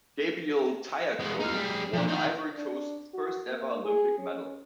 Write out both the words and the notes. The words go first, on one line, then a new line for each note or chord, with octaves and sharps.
Gabriel Tiacoh won Ivory Coast's first ever Olympic medal.
G#3 B3
D#4 F5
G3 G#4
F3 D4
D#4 G5
D4
F#4
A#3
G#4
C#4